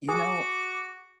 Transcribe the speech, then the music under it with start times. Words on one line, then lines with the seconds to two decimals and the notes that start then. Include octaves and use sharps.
You know,
0.09 F#4 G#4 D6